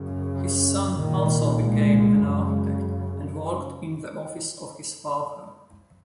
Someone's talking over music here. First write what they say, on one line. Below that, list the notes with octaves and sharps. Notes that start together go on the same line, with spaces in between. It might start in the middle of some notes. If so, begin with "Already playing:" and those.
His son also became an architect and worked in the office of his father.
Already playing: F#2 C#3
C2 A#2 D#3
G#3
F#2 C#3